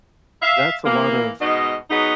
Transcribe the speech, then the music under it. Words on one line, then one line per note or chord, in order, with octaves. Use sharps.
that's a lot of
E5 F5
E3 A#3
G#2 B2 D#4 D#5
F#3 B3 D#4 G#4